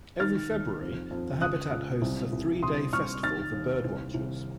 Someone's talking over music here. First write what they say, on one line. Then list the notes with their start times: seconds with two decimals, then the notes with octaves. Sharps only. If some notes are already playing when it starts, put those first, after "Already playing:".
Every February, the habitat hosts a three-day festival for birdwatchers.
0.20 D#3 F6 A6
0.51 D#2
0.81 F2
1.11 F2
1.41 C#2 D#6 F#6
1.72 C#2
2.02 C2
2.33 C2
2.63 C2 C6 D#6
2.93 C2 C#6 F6
3.23 D#3 F6 A6
3.53 D#2
3.84 C2
4.14 C2